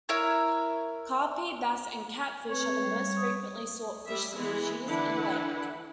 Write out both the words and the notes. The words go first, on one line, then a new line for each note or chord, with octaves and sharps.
Crappie, Bass and Catfish are the most frequently sought fish species in lake.
E4 A#4 C#5
C4 B4 C#5
G3
D#6
G3 E5
E3 G#3 B3 E4
D3 E3 D4 E4 B4 F#5